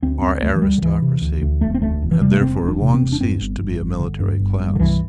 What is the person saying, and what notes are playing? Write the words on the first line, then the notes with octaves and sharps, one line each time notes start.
Our aristocracy had therefore long ceased to be a military class.
D2 C4
D2 C4
D2 A3
E3
D2 G3
D3
D2 E3
C3
D2
D2
E1 A3
C4
D2 A3
E1
E3
C3 G3
A3
E1 C4
E1
D4
C3
C4
E1
D4
G2 C4
G1
G1
G1
D3
G2
G1
G2
D3
C2 E3